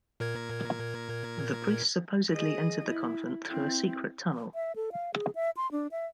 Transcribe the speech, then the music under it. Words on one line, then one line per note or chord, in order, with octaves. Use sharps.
The priests supposedly entered the convent through a secret tunnel.
A#2 A#4 G#6
G#4 D#5
E4
C4 E4
E5
A4
F5
G#4
E5
C6
D4
E5